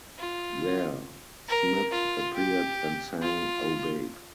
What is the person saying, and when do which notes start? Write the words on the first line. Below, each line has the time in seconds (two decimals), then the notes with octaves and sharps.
There, Smith appeared and sang "Oh, Babe".
0.19 F4
1.48 A#4
1.92 F4
2.35 G4
3.23 F4